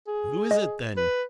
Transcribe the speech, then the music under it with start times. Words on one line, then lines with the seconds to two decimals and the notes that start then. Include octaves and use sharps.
"Who is it then?"
0.07 G#4
0.51 D#5
0.97 B4